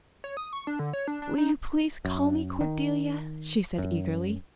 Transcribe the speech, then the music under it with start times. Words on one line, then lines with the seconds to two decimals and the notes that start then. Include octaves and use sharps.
"Will you please call me Cordelia?" she said eagerly.
0.24 C#5
0.37 D#6
0.53 C#6
0.67 D4
0.79 D3
0.93 C#5
1.08 D4
1.22 D4
1.38 D#4
2.05 F#2
2.61 D#3
3.78 F#2